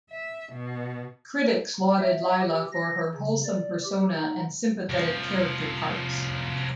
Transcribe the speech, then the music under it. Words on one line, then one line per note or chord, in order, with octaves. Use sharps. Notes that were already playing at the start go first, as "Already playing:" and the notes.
Critics lauded Lila for her wholesome persona and sympathetic character parts.
E5
B2
E5
G4
A#6
C#3
D5
G4
D#4
C2 F3